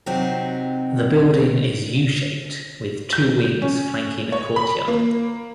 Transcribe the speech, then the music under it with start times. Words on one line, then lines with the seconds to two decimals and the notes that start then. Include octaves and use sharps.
The building is U-shaped with two wings flanking a courtyard.
0.06 C3 F#3 C4 D#4 F#4 G4
3.13 G6
3.62 C#4
4.32 C#5
4.56 B5
4.88 A#3